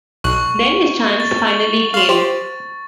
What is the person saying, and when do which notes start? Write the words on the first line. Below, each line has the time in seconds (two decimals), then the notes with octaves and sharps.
Then his chance finally came.
0.24 B1 C#6 F#6
1.20 A6
1.94 F5 C6
2.09 G4 C5